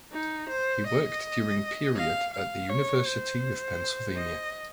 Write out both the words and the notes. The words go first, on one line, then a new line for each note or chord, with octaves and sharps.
He worked during period at the University of Pennsylvania.
D#4
C5
D#5
F5
F5
C#5
C5
D#5